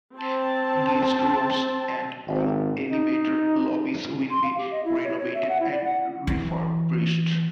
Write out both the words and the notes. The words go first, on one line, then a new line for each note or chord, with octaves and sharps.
Guest rooms and all elevator lobbies will be renovated and refurbished.
C4 A5
G#1
D#4
C6
F5
G4
D#5
E4
C#5
C#5
E5
F#5
E4
D5
F#5
E3